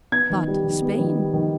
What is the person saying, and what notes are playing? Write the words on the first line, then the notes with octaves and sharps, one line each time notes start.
But Spain?
B3 G#6
D#3
G3
D#3
B3
D#3
G3
D#3